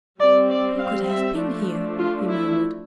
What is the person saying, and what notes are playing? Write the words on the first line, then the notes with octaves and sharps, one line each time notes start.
"Who could have been here?" he murmured.
G3 C4 D5
D5
F5
E5
F3 A3 D4
F4
E4